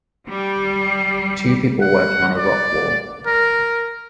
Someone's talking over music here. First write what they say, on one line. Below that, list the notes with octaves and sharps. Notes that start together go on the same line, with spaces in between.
Two people working on a rock wall.
G3
F#5
D5
A#4